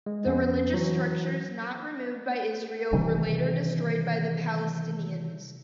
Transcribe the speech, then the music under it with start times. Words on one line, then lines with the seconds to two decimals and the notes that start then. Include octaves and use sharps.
The religious structures not removed by Israel were later destroyed by Palestinians.
0.06 G#3
0.26 F2 B3 C#4
0.74 E3 F#3
2.93 C3 D#3 E3 G3